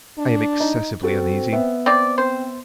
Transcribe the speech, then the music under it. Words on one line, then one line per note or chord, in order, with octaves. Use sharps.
I am excessively uneasy.
D4
D#4
C4 F#4 A4
B3 E5
C4 D5
C4 C5